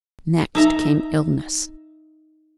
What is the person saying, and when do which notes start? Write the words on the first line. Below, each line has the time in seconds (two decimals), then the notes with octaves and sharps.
Next came illness.
0.55 D#4 E5 A#5